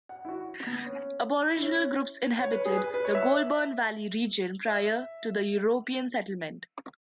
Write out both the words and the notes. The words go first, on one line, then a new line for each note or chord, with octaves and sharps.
Aboriginal groups inhabited the Goulburn Valley region prior to European settlement.
F#5
E4
F#4
B3
C#4
E4
C#4
C#5
B4
G#4
B4
B4
C#5
E5
E5